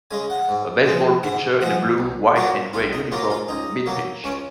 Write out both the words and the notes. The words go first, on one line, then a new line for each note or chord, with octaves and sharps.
A baseball pitcher in a blue, white and gray uniform midpitch.
C#3 G#3 G#5
F#5
G#2
F3 G#3
G#2 F#5
F3 G#3 F#5
B1
A#2 F#3 A#3 F#4
B1 F4
D#4
A#2 F#3 A#3 F4
F4
C#2 D#4
B2 F#3 A#3
C#2 C#4